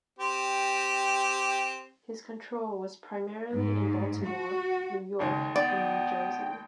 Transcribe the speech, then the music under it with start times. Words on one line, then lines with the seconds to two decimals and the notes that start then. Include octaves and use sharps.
His control was primarily in Baltimore, New York, and New Jersey.
0.19 C4 G4
3.54 G#2
4.27 F#4
5.19 G#1 D#2 C#3 G#3
5.56 B3 D5 G5